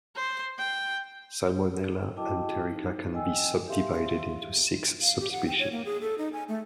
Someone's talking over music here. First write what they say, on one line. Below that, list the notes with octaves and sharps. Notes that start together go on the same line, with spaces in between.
"Salmonella enterica" can be subdivided into six subspecies.
C5
G5
E4 F#4 D#5 G5 A5 D6
D#4
D#5 G5 G#5 E6
G4 E5 F5 C6
F5
G4
F#5
G5
C#5
A#3
G#4
A4
D#4
G#5
A3